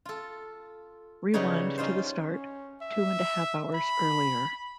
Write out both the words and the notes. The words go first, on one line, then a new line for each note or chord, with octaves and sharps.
Rewind to the start, two and a half hours earlier.
F4 A4
C#3 E3 F#3 G3 D#4 C#5
C#4 D#4 F4 C5
C#4
E5
B5